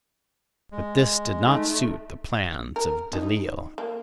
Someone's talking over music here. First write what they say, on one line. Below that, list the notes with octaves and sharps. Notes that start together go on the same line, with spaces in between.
But this did not suit the plans of Delisle.
G#3
A3 D#4
A#4
D#4
A#3